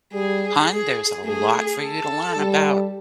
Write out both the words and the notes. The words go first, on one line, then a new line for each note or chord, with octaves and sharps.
hon, there's a lot for you to learn about
G3 G#4
G#4
A3 G#4
A4
G3